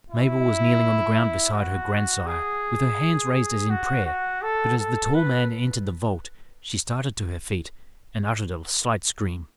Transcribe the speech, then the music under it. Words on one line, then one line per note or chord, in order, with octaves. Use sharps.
Mabel was kneeling on the ground beside her grandsire, with her hands raised as in prayer, but as the tall man entered the vault, she started to her feet, and uttered a slight scream.
E4
F#4
G#4
F#4
F#4
A4
A4
B4